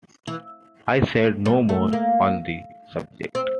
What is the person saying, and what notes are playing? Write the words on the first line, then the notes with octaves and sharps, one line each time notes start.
I said no more on the subject.
E3
G3
A3
A#3
C4